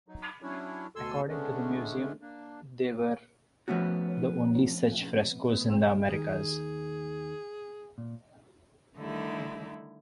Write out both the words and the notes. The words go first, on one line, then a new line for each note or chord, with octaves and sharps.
According to the museum, they were the only such frescoes in the Americas.
F#3 D#4
F#3 C#4 D4 E4 C#5
D2 B2 A4 G#5 C6 E6
D3 G#3 A3 B3 C#4 D4
A#3 D4
F3 A3 B3 C#4 F#4
D#2 D#3 G#4
A#2
D3 D#3 G3 A3 D#4 E4